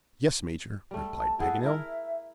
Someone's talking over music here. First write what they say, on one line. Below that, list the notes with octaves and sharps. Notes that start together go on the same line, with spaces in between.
"Yes, Major," replied Paganel.
G3 A3
A5
E4 G#4 A4 F#5
E4 A#4 E5